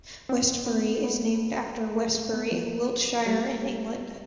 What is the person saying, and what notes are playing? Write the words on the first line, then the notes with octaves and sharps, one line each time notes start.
Westbury is named after Westbury, Wiltshire in England.
C4
B3
B3
A#3
A#3
A3
B3
F3
G3